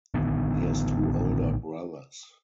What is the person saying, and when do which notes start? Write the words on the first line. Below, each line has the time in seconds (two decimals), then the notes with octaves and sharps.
He has two older brothers.
0.14 A1 D3 D#3 B3